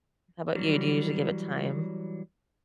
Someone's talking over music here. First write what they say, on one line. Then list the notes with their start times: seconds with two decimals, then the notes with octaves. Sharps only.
How 'bout you? Do you usually give it time?
0.55 E3 F#3 G3